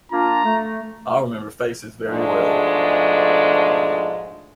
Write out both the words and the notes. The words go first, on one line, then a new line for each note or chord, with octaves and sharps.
I remember faces very well.
A#3 D4 F4 A#5
A3
G#2 B2 F3 G#3 A3 D4